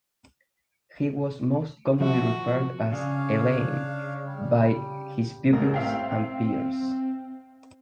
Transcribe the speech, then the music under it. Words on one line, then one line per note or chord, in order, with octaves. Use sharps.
He was most commonly referred to as "Alain" by his pupils and peers.
F3 F#4 E5
C#3 D4 C#5 F5
G3
A1 A#4
C4 E5 F5 G5